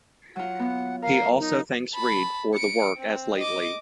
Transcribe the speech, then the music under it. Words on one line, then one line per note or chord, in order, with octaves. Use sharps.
He also thanks Reed for the work as lately.
F#3 F4 F#5
B3
A#4 F5
D#4
A5 B5
C#7 D7
C4
D#5 D6